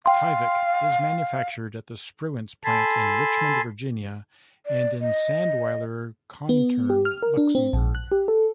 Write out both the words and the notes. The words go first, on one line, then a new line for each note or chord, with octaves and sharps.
Tyvek is manufactured at the Spruance plant in Richmond, Virginia, and in Sandweiler-Contern, Luxembourg.
F5 G5 C6
A4 G#5 A5 B5 C6
D5
D#5
B3
G4
F6
A#4
D4
C4
A#1
F#6
G4
A4